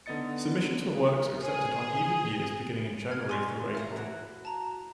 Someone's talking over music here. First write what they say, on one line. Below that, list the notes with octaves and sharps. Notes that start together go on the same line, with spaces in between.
Submissions for works are accepted on even years beginning in January through April.
D3 B3 D#4 D#5 A6 C#7
G#4
F6 G#6
G3 G#3 G#5 C6 C#6
E5 F5 A5 A#5
E4 F#4
A5 A#5